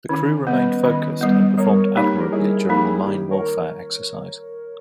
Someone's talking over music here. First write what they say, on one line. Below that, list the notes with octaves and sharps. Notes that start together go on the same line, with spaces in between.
The crew remained focussed and performed admirably during the Mine Warfare Exercise.
D#3 C#4 E4
G3 B3 B4 D#5
D#3 B4 D#5
G3 B3
G3 A#4 C#5
A#3 D#4 G4 A#4
A#4
G3 E4 G#4
A#3 D#4 G#4
G4
E4 G#4
D#3 D#4 G4
A#4 C#5